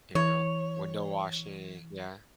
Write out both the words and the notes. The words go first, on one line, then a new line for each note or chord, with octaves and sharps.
you know, window washing yeah?
E3 C#5